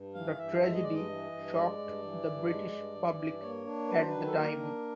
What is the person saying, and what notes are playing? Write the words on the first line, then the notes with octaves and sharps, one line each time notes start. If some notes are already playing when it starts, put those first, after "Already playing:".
The tragedy shocked the British public at the time.
Already playing: G2
E3 F5
G2 E5
G#3 E5
D#5
G2 D5
D#5
E3
G2
G#3 D5
G2
E3
G2
G#3
G2
E3
G2
A#3 C#5
D4
F#3 B4
C5
D#3 B4
A4
A#3 A#4
D4